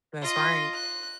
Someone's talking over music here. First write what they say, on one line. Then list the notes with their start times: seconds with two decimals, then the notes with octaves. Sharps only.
That's right.
0.21 F4 D#5
0.74 F#6